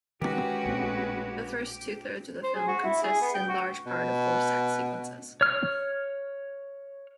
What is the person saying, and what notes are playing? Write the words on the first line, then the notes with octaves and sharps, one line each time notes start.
The first two-thirds of the film consists in large part of four sex sequences.
D#3 G#3 C#4 F#4 G4 B4
A#1 A2 C4
C5
G#4
F#4
E4
G#4
B3
G5
F#4
B2
C#5 F6